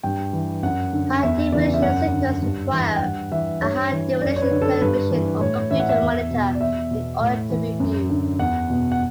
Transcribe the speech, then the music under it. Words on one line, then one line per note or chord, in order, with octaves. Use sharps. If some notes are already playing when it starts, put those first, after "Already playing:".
High-definition signals require a high-definition television or computer monitor in order to be viewed.
G2 G5
E3
F#2 F#5
D3
E2 E5
C#3 E3 D5
E5
F#2 F#5
D3
G2
E3
G5
G2 F#5
E3 E5
G2 C#5
E3
F#2 D5
C#5
B4
D3
A4
G2 B4
E3
A2 C#5
E3 E5
F#5
E5
E2
B2
D5
E2 E5
B2
A2
E3
F#2
D3
E2 F#5
B2
F#5